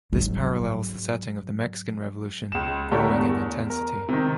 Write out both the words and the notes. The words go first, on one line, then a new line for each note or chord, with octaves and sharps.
This parallels the setting of the Mexican Revolution growing in intensity.
G#2 F#3
C#2 E7
D3 A3 G4 A#4 C#5 D5
E2
A#4
C3 D#3